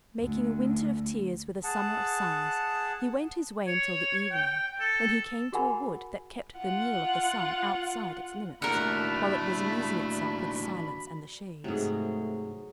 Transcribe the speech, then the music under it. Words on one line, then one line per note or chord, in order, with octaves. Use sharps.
Making a winter of tears with a summer of sighs he went his way until the evening, when he came to a wood that kept the Mule of the Sun outside its limits, while it was amusing itself with Silence and the Shades.
D2
G#4 F#5 A5
C#5
G5
A4
F#4 G#4 A#4 F#5 G#5 B5
F4 F#5
D#2 A2 A3 D4 F#4 A#4 F#5 B5
G#2 C3 F#3 A3 G#4